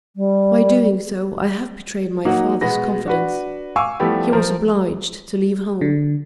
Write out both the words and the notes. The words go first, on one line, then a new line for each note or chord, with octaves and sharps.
By doing so I have betrayed my father's confidence--he was obliged to leave home.
G3
F#3 A#3 D#4 F#4 D#5 F#5
B2 G#3 B3 F#4 B4 A#6
D4 F#4 B4
F5 G#5 C#6 D6 E6
F3 G3 A3 B3 E4 G4
F3 A#4 C5
D3